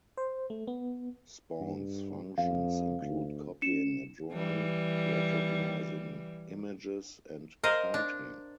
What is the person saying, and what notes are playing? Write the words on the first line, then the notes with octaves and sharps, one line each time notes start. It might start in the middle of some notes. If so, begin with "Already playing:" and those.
Spaun's functions include copying a drawing, recognizing images, and counting.
C5
A3
B3
G2
F2 F5
D2
C#4 C#7 E7
E3 G3
A#4 C5 D#5 F5
D4